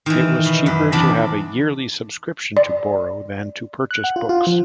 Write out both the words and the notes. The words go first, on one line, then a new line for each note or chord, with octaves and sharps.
It was cheaper to have a yearly subscription to borrow than to purchase books.
D#3 E3
B2
F#2 B4
E2 C3 D4 A5 B5
D5
F#6
F#5
F4
F4
F3